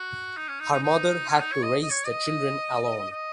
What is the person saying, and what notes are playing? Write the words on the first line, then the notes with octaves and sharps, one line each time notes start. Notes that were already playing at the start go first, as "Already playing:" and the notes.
Her mother had to raise the children alone.
Already playing: F#4
D#4
C#4
D#4
D#4
D#4
C#4
D#4
C#5
D#5
D#5
C#5
D#5
D#5